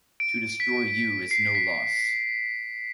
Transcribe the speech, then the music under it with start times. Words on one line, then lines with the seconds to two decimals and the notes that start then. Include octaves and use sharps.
To destroy you is no loss.
0.20 D7
0.60 B6
1.31 C7
1.55 B6